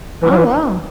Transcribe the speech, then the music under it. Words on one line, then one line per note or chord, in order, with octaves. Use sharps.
Oh, wow.
E3
F#3
E3